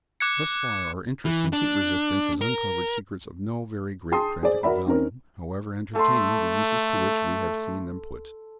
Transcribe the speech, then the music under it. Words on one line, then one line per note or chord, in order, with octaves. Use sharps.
Thus far our interest in heat-resistance has uncovered secrets of no very great practical value, however entertaining the uses to which we have seen them put.
D6 F#6 G#6 C#7
E3
D4
A#4
G#4 G5 A5 C6 D#6
G#4 C5 D5
F#4 A#4 D5 E5 B5
C4 C#4 D#4 A#4
A3 A4 A5 C6